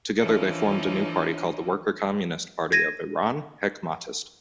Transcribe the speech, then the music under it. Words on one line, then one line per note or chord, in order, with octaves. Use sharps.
Together they formed a new party called the Worker-Communist Party of Iran-Hekmatist.
D3 E3 F3 C#4 D#4
G#6 A#6 D#7